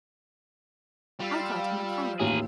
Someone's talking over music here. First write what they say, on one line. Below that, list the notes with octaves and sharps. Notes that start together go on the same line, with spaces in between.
I thought him a coward.
G3 F4 F5 E6
A1 D#2 G#4 A#4